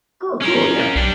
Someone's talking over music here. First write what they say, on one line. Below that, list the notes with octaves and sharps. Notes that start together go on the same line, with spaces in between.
Oh, cool, yeah.
C#4 A#4
B1 G3 D4